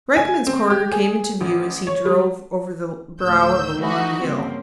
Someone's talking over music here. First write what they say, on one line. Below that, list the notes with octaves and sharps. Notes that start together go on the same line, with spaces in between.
Rykman's Corner came into view as he drove over the brow of a long hill.
G#5
C4
G4
G#4
A1
C#5
G3
D2 A2 E6 G6
F3 A3 D#4 E4 F#4
G2 C#3 A#3 C4